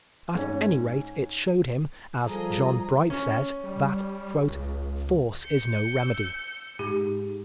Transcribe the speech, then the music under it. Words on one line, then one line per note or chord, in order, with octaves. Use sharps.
At any rate, it showed him, as John Bright says, that "force is no remedy."
G#2 C#4
F3 G3 G#4 A4 D#5 A#5
C#4
G3
C#2
G6 C#7
E6
G#2 G4